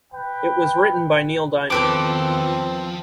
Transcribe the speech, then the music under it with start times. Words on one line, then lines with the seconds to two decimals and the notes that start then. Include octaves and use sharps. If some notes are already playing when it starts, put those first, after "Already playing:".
It was written by Neil Diamond.
0.11 B4 G5
1.70 E2 D#3 F3 C4 A4 B4 D6